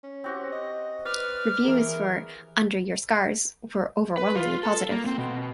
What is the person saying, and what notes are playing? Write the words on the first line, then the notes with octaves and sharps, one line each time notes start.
Reviews for "Under Your Scars" were overwhelmingly positive.
C#4
C4 F#4 G4
D#5
B4 D5 F6
E3 G#4 A#4
B4
F4
A4
A#3
C4
B2